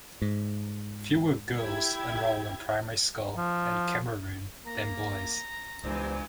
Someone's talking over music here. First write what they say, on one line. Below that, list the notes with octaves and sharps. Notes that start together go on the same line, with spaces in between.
Fewer girls enroll in primary school in Cameroon than boys.
G#2
E4 G4 G#6
F3
A#3 A#5
C#2 G2 A#2 E3 B3 D4 C5